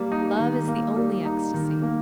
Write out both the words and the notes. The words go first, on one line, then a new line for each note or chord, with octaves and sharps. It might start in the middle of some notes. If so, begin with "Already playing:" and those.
Love is the only ecstasy.
Already playing: G3 A#3
D#4
D#3
A#3
G3
D#4
D#3
A#3